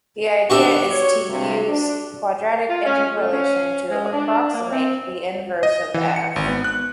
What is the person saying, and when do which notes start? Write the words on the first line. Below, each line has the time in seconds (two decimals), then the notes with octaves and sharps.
The idea is to use quadratic interpolation to approximate the inverse of "f".
0.50 D#3 B3 D4 F#4 G4 E5
0.90 C#5
1.30 G2 C3
1.68 D4
2.69 F4
2.85 C#4
3.17 A3
3.33 C#4
3.91 G#3
4.13 D4
4.53 A#3
4.70 C4
5.63 D#5
5.94 E3
6.16 C#7
6.36 G#1
6.48 B3
6.64 F#6